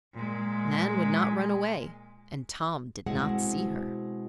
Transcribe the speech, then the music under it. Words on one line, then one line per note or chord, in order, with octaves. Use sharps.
Nan would not run away and Tom did not see her.
A#2 G#3
B2 G#3 C4 E4 G#4 F#5